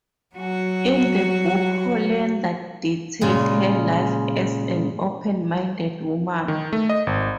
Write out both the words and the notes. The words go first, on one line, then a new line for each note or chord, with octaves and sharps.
In the book Hollander detailed her life as an open-minded woman.
F#3 F#4
A#2 C#3 G#3 F4
D#3
A3
D#5
G#1